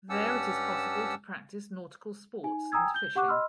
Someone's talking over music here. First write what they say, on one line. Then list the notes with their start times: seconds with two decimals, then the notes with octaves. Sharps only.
There it is possible to practice nautical sports and fishing.
0.10 G2 C#4 G4 F#5 A5 E6
2.43 D#4 G#5
2.72 G5 G#5 A#5 D#6 E6 G#6
2.94 G6 G7
3.15 G4 F#5 C#6 D6 F#6
3.28 D#5 B5 C6 E6 F6